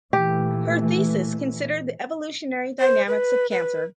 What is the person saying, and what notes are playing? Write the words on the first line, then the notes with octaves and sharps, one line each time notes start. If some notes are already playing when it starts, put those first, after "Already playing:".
Her thesis considered the evolutionary dynamics of cancer.
A#2 E3 A3 G4
C5
B4
B4